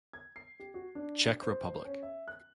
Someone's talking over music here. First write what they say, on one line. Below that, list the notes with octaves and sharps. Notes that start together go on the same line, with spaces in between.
Czech Republic.
G#6
C7
G4
F#4
D4
C5
C#4
E5
F#6